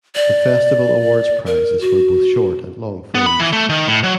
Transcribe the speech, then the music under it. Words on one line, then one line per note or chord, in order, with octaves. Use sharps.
The festival awards prizes for both short and long films.
D5
A#4
F#4
B3
B5
E3
A3
D#3
A2
F#3